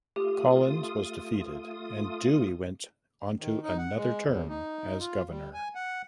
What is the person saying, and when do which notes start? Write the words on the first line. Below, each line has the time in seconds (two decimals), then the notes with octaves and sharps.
Collins was defeated and Dewey went onto another term as Governor.
0.16 A3 F4 G4 D#6
3.39 D#3
3.63 D#4
3.78 F#5
3.95 G#3
4.25 E2
4.49 D#4
5.00 F4
5.27 G3
5.54 G#5
5.75 F#5